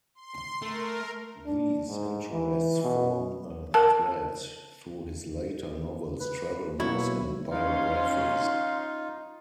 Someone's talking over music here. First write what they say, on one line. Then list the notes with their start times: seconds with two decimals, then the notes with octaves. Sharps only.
These interests form a thread through his later novels, travel books and biographies.
0.15 C6
0.62 A3 A#4
1.46 D4
1.87 G#2
2.33 E3
2.83 B2
3.74 A#4 A5
6.20 B4
6.80 B2 F#3 A#3 E4 C#5
7.51 C#4 D#4 F4 F5 C6